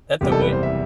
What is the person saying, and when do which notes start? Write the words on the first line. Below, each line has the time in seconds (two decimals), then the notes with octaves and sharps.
that's the way
0.21 F#1 E2 C3 E3 G3 G4
0.32 A4
0.42 B4
0.53 C5
0.63 E5